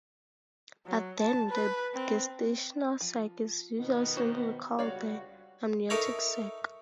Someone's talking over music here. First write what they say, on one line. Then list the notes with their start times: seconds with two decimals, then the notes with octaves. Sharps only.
By then, the gestational sac is usually simply called the "amniotic sac".
0.86 F#3
1.19 A5
1.49 B4
1.94 C4
3.01 F3
3.79 B2 D#3 B3
4.17 F#4 C5
4.79 C#2 G3 F#4 C#5 D5 F5
5.90 D#4 A4 A#4 C#5 E5 A#5